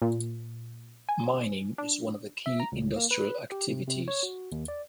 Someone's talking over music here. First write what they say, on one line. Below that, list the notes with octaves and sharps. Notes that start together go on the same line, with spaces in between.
Mining is one of the key industrial activities.
A#2
G#5
D4
E5
A#5
C#2
A#3
B4
G4
C3
C3
C#5
F#4
D#2
D5